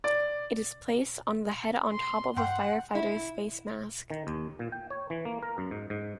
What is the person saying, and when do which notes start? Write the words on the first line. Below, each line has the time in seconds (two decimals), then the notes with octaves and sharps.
It is placed on the head on top of a firefighter's face mask.
0.04 D5
1.92 C6
2.37 G2 F#5 G5 C6
2.95 E4
4.10 D#3
4.27 D#2
4.59 A#2
4.72 G5
4.90 C#5
5.10 E3
5.25 A#3
5.43 A#4
5.58 F#2
5.71 G#2
5.90 G#2